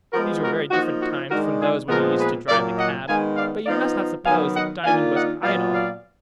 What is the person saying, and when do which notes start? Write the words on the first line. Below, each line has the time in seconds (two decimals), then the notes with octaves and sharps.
These were very different times from those when he used to drive the cab, but you must not suppose that Diamond was idle.
0.12 F3 G#3 B3 F#4 A#4
0.42 F#4 A#4
0.71 F3 A#3 D#4 F#4
1.01 F#4
1.30 D#3 G#3 D4 F#4 A#4
1.60 F4 G#4
1.89 A#2 F3 G#3 B3 F#4 A#4
2.19 G#4 B4
2.48 A#2 F#3 A#3 A#4 D5
2.78 D#5 F#5
3.07 D#3 G#3 B3 F5 G#5
3.36 D5 F5
3.66 F3 B3 D#4 D5 F5
4.25 D#3 F#3 B3 F5 G#5
4.54 D#5 F#5
4.84 D#3 A#3 D4 F4 F5 G#5
5.14 D#5 F#5
5.43 A#2 F#3 B3 F4 D5 F5
5.73 D5 F5